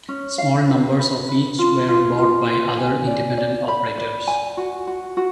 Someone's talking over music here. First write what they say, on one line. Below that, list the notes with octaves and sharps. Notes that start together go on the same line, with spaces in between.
Small numbers of each were bought by other independent operators.
C#4
F5
B4
B4
B4
F4
F4
F4
F4
G#5
D5
D5
B5
D5
G#5
F#4
F#4
F#4